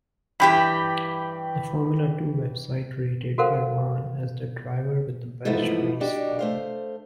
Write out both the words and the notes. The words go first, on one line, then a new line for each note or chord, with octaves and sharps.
The Formula Two website rated Armaan as the "Driver with the Best Race Form".
G2 E3 G4 G5 B5
F#4 A4 A#4 C5 F5 F#5
G#2 E3 F3 A3 B3
D4 D#4 F#4 G4
A3 C5 F5